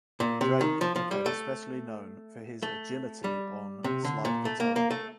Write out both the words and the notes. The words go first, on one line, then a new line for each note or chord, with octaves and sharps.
Drake became especially known for his agility on slide guitar.
A#2
C3
D#3
F3
F3
G3
A3
A3
G3
C3
D3
A#2
A3
A#3
A#3
A3